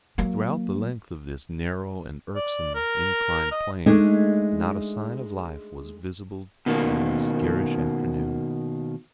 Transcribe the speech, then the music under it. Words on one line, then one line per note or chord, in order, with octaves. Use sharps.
Throughout the length of this narrow and irksome inclined plane not a sign of life was visible on this garish afternoon.
F#3 A#3
D5
A#4
D#5
G#3 A3 D4 D#4 G#4
B2 D#3 A#3